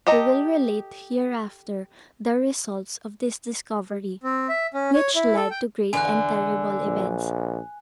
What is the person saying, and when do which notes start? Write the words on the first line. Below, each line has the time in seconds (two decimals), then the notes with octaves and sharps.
We will relate hereafter the results of this discovery, which led to great and terrible events.
0.07 G4 A4 D#5 A#5
4.23 C4
4.49 E5
4.74 C#4
4.94 C#5
5.15 E4
5.36 A4
5.51 G5
5.93 E2 D3 G#5 F#6
6.85 A#1